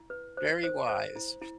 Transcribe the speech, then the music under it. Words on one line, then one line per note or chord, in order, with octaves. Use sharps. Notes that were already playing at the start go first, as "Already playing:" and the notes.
Very wise.
Already playing: E4
B4
C5
C5
C5
E4
E4